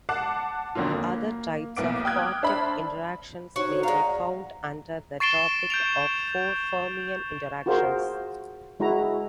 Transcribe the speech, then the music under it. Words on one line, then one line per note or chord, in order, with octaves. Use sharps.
Other types of quartic interactions may be found under the topic of four-fermion interactions.
F#5 A5 D6 F#6 C7
F2 D3 F#3 A#3 F4
A#3
B1 A#3 B3 E4 D6 D7
G5 D6 D#6 F6 F#6 G#6
D4 C5 E5 A5 B5
D#4 F#4 C5 C#5
G#3 D5 F5 F#5 A#5
C#6 A6 C7 D7 E7 G7
G6 D7 F7
F4 F#4 G#4 A#4 C5
G#3 E4 F#4 A#5